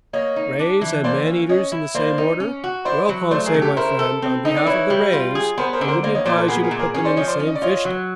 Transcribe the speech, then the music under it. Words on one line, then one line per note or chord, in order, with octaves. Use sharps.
"Rays and man-eaters in the same order? Well, Conseil my friend, on behalf of the rays, I wouldn't advise you to put them in the same fish tank!"
A#3 C#5 D#5
D#4
D4
E3
A#3 C5 D5
C#4
C#4 C#5 D#5
E4
A#3 C5 D5
D#4
C#4
F#4
E4 C5 D5
F#3
A3 C5 D5
G#4 A#4
C#3
G4 A4
E4 A#4 C5
A4
C4
D#4 D#5
D5
E4 B4 C#5
G3
F4
G#4
B3 A#4 C5
A#4 C5
D3
A#4 C5
A#3 C5 D5
C#5 D#5
A#2 C5 D5
A4 B4
B3 G#4 A#4
G#4 A#4
A#2
G#4 A#4
C#4 G#4 A#4
C5 D5
F3 C#5 D#5
C5 D5
C#4
D#5
D5
F4 C#5 D#5
F#3